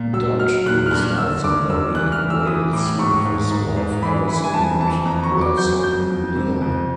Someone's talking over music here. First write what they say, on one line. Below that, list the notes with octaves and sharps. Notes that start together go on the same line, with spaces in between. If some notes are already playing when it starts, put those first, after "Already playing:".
Dodd resides in Barry, Wales with his wife Allison and their son Liam.
Already playing: A#2
F#3 E6
F#3 F6
A#2 F#6
F6
G2 F#6
D3 E6
G2 D6
G2 E6
E3 F#6
F6
E3
E6
E3 D#6
A2 D6
G#2 C#6
G#2
G#2
G#2
E3 B5
E3 B5
G#5
F2 A5
E3 A5
F2 A#5
C#6
F#3
D6
F#3 G6
F2 G6
F2
C3
F2